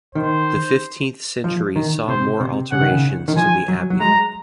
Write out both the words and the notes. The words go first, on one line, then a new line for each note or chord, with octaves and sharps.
The fifteenth century saw more alterations to the Abbey.
D#3 C5
F3
D#3
C3 C5
C3
C#3 F#5
D#3
C#3
D#3
F3 G#5
F#3
F#3
G#3 A#5